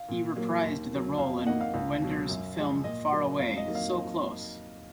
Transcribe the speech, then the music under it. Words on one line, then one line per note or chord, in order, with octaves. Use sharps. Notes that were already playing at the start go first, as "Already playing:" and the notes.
He reprised the role in Wenders' film Faraway, So Close!
Already playing: F5
A#2
F#3 A#3
D#2
D#3 F#3
F2 F5
D#3 A#3 D#5 F#5
F5
C#2
B2 F#3
F#2
F3 G#3
A#2 D#5
F#3 A#3
F2 F5
D#5
D#3 F#3 A#3
F5